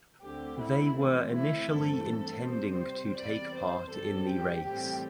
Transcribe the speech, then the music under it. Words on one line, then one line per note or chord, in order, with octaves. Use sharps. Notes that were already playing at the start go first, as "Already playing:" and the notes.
They were initially intending to take part in the race.
D2 D3 C4 G4
E4
C3 E3 A3 C4
E4
G2 E3 A3 C4 A4
C3 G3 C4 C5
E2 C3 G3 D5
C5
G2 G3 C4 A4
G4
A2 E3 G3 C4 G4